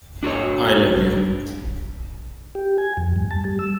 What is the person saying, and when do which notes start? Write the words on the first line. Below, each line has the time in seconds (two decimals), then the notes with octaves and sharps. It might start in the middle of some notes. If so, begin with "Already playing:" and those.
I Love You.
0.23 D4 F#4 A4 C#5
2.55 G4
2.78 G#5
2.97 F2
3.16 G2
3.31 A5
3.45 G3
3.59 E6